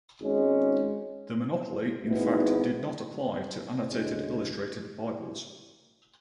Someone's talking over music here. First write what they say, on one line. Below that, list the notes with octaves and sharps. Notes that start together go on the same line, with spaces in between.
The monopoly in fact did not apply to annotated or illustrated Bibles.
G#1 G#2 G#3 C#4
G#1 G#2 G#3 B3 E4
D2 C#3 G#3